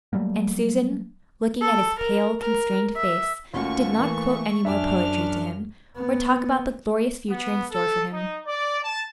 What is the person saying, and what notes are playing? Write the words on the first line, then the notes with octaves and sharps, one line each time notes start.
And Susan, looking at his pale, constrained face, did not quote any more poetry to him, or talk about the glorious future in store for him.
F#3 G3 A3 A#3
A4
A#4
A#4
E5
D#2 A3 C#4 F4 F#4 C#6
E3 A#3
F#2 D4 E5 G#5 F6
B3
B3
A4
D#4
D5
A5